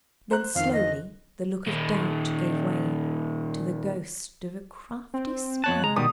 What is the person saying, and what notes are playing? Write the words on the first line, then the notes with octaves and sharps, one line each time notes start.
Then slowly the look of doubt gave way to the ghost of a crafty smile.
C5 A#5 F#6
F2 D#3 F5
D#5
A#2 D#3
C4
F2 C#5 A5 F#6
G#3 A#5
B2 D#3 G3 D#6